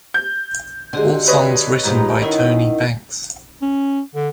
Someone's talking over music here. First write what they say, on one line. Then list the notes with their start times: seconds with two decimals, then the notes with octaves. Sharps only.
All songs written by Tony Banks.
0.14 G6
0.93 D3 G#3 F#4 G4 C6
1.27 B4 C#5 D#5
1.83 E2 G#2 F3 G4 A#5
2.22 D#3 C#4 D#4 E4 F#5
3.62 C#4
4.15 D3